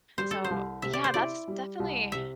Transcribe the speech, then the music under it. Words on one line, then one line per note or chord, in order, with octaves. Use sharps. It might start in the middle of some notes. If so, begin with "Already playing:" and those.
So, yeah, that's definitely
G3 C5
A4
C5
C2
C3 E5
D5
C5
E4 D5
G3
C2
C3 E5